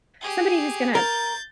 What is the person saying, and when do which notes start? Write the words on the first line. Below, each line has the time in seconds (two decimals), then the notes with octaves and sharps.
somebody who's gonna
0.21 G4 G#4
0.95 A#4 G6 A6